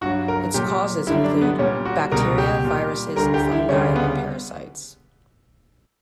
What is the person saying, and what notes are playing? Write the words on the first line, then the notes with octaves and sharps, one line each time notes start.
Its causes include bacteria, viruses, fungi and parasites.
G2 F#3 F#4
A#4
A#2 F#3 G4
F#2 D3 G3 E4
D4
B3
A#2 G3 C#4
F#4
C#2 B2 G3 A#4
G4
A#2 G3
D2 D3 G3 A#4
G4
E4
D2 C#3 G3 C#4
B3